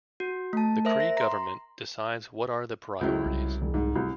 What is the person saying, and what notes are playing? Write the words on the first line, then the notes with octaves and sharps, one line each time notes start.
The Cree Government decides what are the priorities.
F#4
A3 A5
A#4 C5 E5
A#6
A#5 C6
C#2 F#3 E4
C2
E1
G#2
C2